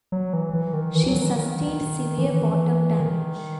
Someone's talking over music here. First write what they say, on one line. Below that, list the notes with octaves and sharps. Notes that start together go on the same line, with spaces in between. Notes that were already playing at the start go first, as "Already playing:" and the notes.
She sustained severe bottom damage.
F#3
E3
E3
D#3
E3
F#3
E3
D#3
E3
D#3